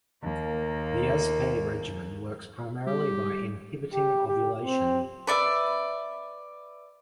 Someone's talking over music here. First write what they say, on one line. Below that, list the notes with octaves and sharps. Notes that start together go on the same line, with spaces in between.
The Yuzpe regimen works primarily by inhibiting ovulation.
D#2 A#3
G3 G4
G4
G4
C4
B4 D5 E5